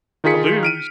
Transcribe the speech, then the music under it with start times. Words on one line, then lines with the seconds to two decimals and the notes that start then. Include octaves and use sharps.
to lose.
0.24 D#3 D#4 F4 G#4 B6 C#7
0.63 F6 D7 D#7